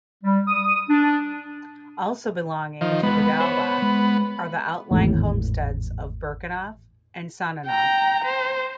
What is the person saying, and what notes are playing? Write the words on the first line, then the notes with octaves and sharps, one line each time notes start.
Also belonging to Daubach are the outlying homesteads of Birkenhof and Sonnenhof.
G3
D#6
D4
D#3 F3
G#3 B3 B4
C5 C#5
G#3
G#1 E2 A2
G5 A#5
C5